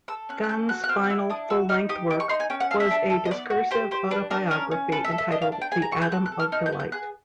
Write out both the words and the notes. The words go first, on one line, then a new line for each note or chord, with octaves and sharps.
Gunn's final full-length work was a discursive autobiography entitled "The Atom of Delight".
A4 E6
C#4 F#6
F#6
A4 G6
F#4 F#6
F#6
C4 F6
E4 E6
D4 D#6
F#4 E6
D#4 F6
G4 D#6
D#4 D6
C#6
D#4 C6
G#5
C#4 G5
F#5
A4 F5
E5
D4
A4
D#5
B3 D5
F#4
G4 C5
G4 C5
D4 B4
D4 A#4
C#4 A#4
C#4
A4 B4
E5
A4
E5
D4 D#5
F5
D4
G5
G#4 G#5
A#5
C4 C#6
G6
A4 F#6
F#6
A4
F6
D#4 F6
G6
B3
G6
G#4 F#6